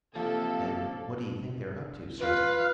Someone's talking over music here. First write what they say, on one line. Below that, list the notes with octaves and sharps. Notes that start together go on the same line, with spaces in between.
"Then what do you think they're up to, sir?"
C3 F3 A#3 A4
F4 B4 F5